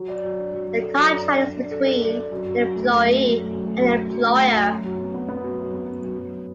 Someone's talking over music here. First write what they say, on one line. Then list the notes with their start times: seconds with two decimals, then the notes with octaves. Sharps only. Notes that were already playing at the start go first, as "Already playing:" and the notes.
The contract is between an "employee" and an "employer".
Already playing: F#3
0.08 D5
0.23 F#3
0.38 D4
0.52 F#3
0.67 F#3
0.82 A4
0.98 F#3
1.12 D4
1.27 D4
1.42 D4
1.57 D4
1.71 A4
1.86 A4
2.01 D5
2.17 D5
2.32 F#2
2.46 F#2
2.61 F#2
2.76 A3
2.90 F#2
3.06 A3
3.20 F#3
3.35 A3
3.50 F#2
3.65 A3
3.81 F#2
3.95 F#2
4.09 F#2
4.25 A3
4.39 A3
4.55 F#3
4.70 F#2
4.84 F#3
4.99 B3
5.14 B3
5.29 B3
5.44 F#2
5.59 F#3
5.74 B3
5.89 F#2
6.03 F#2
6.18 F#2